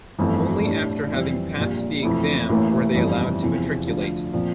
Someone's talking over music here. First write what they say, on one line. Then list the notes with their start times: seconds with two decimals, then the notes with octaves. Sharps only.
Only after having passed the exam were they allowed to matriculate.
0.19 G1 F2 E3 A3
0.64 A2 G3 D4
1.11 F2 E3 G3 C4
1.57 A#1 A#2 G3
2.02 F2 E3 A3 E4
2.49 A1 A2 E3 A#3
2.95 G1 F2 E3 G3
3.42 E2 C3 F3 C4 E4
3.87 D2 D3 F3
4.33 A#2 F3 C4